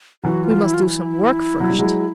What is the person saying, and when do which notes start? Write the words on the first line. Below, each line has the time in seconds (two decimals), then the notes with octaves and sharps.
"We must do some work first."
0.24 E3 F#3 F#4
0.44 F4
0.62 E4
0.74 F4
0.82 E4
1.60 F#3
1.70 G3
1.79 F#3 G#3